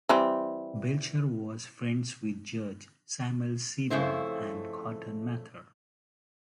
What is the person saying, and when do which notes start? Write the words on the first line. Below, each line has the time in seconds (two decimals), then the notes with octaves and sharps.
Belcher was friends with Judge Samuel Sewall and Cotton Mather.
0.09 E3 G3 C4
3.90 F2 C#3 A3 E4 C5